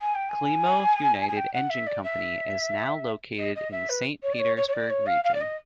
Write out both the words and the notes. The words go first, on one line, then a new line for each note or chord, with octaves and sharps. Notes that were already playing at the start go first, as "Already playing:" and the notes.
Klimov United Engine Company is now located in Saint-Petersburg region.
G#5
G5
G#5
G#5
G5
F#5
E5
D5
E5
D#5
D#5
E5
B4
C#5
D5
C#5
C#5
C#5
D5
C#5
F5
F5
D5
D#5